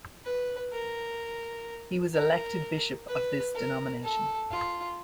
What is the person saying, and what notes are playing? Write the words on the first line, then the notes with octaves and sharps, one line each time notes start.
He was elected bishop of this denomination.
B4
A#4
A#4
B4
A#4
A4
F4